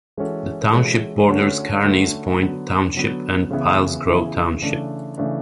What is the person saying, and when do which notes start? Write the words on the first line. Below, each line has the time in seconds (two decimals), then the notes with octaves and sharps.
The township borders Carneys Point Township and Pilesgrove Township.
0.17 E3 G#3 C#4 F#4 A4
0.73 E3 G#3 C#4 F#4 A4
1.29 D3 A3 C#4 F#4
1.84 D3 A3 C#4 F#4
2.39 D3 F#3 B3
2.95 D3 F#3 B3
3.51 C#3 E3 B3 E4 G#4
4.06 C#3 E3 B3 E4 G#4
4.62 C#3 E3 A3 D4
5.17 C#3 E3 A3 D4